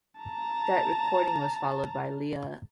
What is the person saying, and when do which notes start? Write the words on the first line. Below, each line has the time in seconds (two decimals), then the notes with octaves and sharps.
That recording was followed by Lea...
0.21 A5 A#5